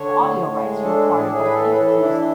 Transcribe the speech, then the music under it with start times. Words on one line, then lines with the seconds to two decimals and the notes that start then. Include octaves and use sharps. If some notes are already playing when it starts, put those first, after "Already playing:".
The audio rights were acquired by Think Music.
Already playing: D3 C#5
0.12 A2
0.36 A2
0.59 G#3
0.83 D4 A4
1.07 A2
1.18 G#4
1.26 A4
1.30 A2 G#4
1.44 B4
1.54 E3 A4
1.72 B4
1.78 E3 A4
2.01 D4 E4